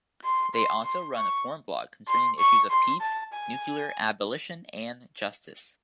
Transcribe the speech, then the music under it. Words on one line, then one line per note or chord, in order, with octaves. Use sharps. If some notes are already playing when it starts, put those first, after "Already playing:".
They also run a forum blog concerning issues of peace, nuclear abolition, and justice.
C6
C6
C6
C#6
C6
C#6
C6
A5
G#5